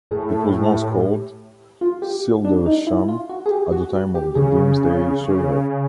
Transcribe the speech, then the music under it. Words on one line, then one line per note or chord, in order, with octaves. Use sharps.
It was once called "Cildresham", at the time of the Domesday survey.
A2 G#4
A4
G#4
G4
F4
G4
D4
D#4
E4
F4
F#4
G#4
G4
F#4
G4
C#3 G#4
C#3